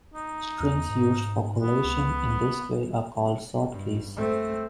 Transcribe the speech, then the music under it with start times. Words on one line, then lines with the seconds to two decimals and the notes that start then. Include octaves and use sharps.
Strings used for collation in this way are called "sort keys".
0.14 D#4
0.60 E2
0.90 G#2
1.61 B3
1.84 C#2
3.71 G2
4.17 A3 C4